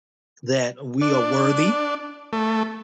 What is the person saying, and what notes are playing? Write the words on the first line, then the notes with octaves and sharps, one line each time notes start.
That we are worthy.
D4
A3